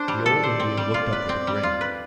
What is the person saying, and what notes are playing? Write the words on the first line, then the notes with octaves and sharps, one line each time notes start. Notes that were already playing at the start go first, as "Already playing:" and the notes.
The old Indian looked up with a grin.
Already playing: D4 C5
G3
A4 D5
C5
C4
G3
F4
B4
C4
G3
F4
B4